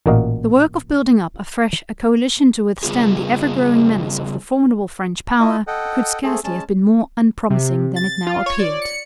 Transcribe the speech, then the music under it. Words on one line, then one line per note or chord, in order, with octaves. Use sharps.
The work of building up afresh a coalition to withstand the ever-growing menace of the formidable French power could scarcely have been more unpromising than it now appeared.
A1 A#2 A#3 F#4 D#5 F5
C#3 G3 B3 F4 G#4
E4 F4 D#5
A4 D#5 F#5 G5
A3 C4 G#4 A4
G#3 C#4 A5
C3
A6
F4
C#5
D5
C#7